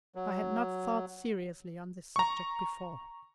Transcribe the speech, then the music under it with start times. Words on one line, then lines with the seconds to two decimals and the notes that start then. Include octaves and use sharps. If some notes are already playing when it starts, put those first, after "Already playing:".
I had not thought seriously on this subject before.
0.15 F#3
2.16 A#5 C#6